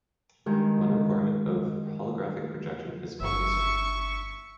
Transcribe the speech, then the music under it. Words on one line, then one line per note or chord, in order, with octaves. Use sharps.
One requirement of holographic projection is a laser.
G2 D#3 G#3
G1 E5 C#6